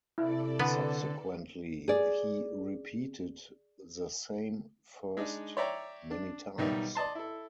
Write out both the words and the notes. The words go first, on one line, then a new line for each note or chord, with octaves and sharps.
Subsequently, he repeated the same "first" many times.
C3 E4 A4 D5
D3 B3
G#4 D5
G#3 D4 D#4
C#5 D5 E5 G5 A#5 C#6
D4
B1 D#3 G3 D#4 E5
D5 D#5 A5 C6
E4 A4